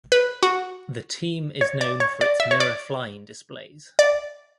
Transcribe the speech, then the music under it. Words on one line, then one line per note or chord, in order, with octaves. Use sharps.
The team is known for its mirror flying displays.
B4
F#4
C#5
D5
C#5
D5
E5
C#5
D5
D5